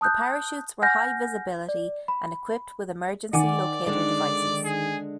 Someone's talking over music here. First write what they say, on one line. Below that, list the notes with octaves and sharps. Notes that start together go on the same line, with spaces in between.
The parachutes were high-visibility and equipped with emergency locater devices.
A5 D#6 F#6 G6
F#5 G#5 F6 G6 A#6
D5
B5
D#3 D5 F#5 G#5 D6
D3 G#3 D4 D5
G#4